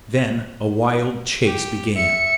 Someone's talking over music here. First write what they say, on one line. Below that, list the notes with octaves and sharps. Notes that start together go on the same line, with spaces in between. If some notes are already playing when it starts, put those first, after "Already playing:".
Then a wild chase began.
G4
E5 C#7